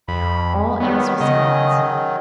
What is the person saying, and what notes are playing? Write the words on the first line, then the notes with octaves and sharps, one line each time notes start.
All else was silence.
F2 B5
D#3 F#3 B3
C#3 D#5